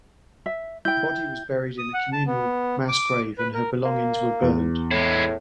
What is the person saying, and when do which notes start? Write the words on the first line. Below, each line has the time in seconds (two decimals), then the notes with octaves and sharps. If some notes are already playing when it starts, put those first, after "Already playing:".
Her body was buried in a communal, mass grave and her belongings were burned.
0.46 E5
0.85 E4 G5 G6
1.78 D#6
1.94 F#5
2.13 A5
2.27 B3
2.89 D6
3.38 B4
3.54 A#4
3.85 A#3
4.42 E2
4.91 A2 G#3 E4